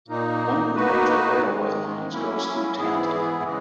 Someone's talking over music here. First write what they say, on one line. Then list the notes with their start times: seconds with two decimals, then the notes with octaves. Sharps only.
One of the major railway lines goes through Tanta.
0.08 A#2 A#3 D#4
0.75 B2 A#3 D#4 F#4 B4
1.42 G#2 D#3 G#3
2.10 F#3 A#3 C#4 E4
2.77 G#2 E3 B3 E4 G#4
3.43 C#3 E3 G#3